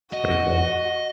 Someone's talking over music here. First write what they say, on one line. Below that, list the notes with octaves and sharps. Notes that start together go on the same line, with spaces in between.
It's pretty cool.
F#4 D#5